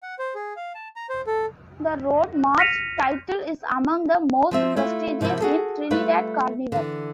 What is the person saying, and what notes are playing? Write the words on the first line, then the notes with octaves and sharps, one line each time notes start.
The Road March title is among the most prestigious in Trinidad Carnival.
F#5
C5
G#4
F5
A5
A#5
C5
A4
F6 A#6 B6 C#7 D#7 F7
F3 C4 E5
A3 E4 F4
C3 F3 A#3 D#4 E4
F#4 G#4 A4
G3 A3 F4 B4
D3 E3